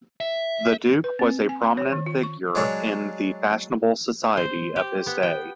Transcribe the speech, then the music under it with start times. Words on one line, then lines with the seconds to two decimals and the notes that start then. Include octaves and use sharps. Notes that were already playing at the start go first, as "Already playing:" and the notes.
The Duke was a prominent figure in the fashionable society of his day.
0.20 E5
1.04 B4
1.19 C4
1.49 G#5
1.64 B5
1.77 C#5
1.92 D#3
2.06 F4
2.23 C#6
2.55 F#3 G#3 D4 C#5
4.37 C5
4.76 G4
5.06 B3
5.23 G5